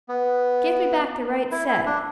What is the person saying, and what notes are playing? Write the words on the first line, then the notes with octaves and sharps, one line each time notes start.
'Give me back the right set.
B3
E4
E4
D4